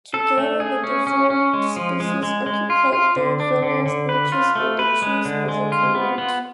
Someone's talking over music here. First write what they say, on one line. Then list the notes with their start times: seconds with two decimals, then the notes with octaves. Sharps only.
Together the different species occupied their various niches in the trees as a "community".
0.14 A4
0.38 A3
0.60 G#4
0.84 C#4
1.07 C#4
1.30 C#4
1.54 G#3
1.76 F3
2.00 G#3
2.23 G#3
2.46 G#3
2.70 F4
2.93 F4
3.16 D3
3.40 D4
3.62 D3
3.86 D3
4.09 B4
4.32 F4
4.55 A3
4.79 B4
5.02 G#3
5.25 D3
5.48 G#3
5.72 F4
5.95 B3
6.18 B3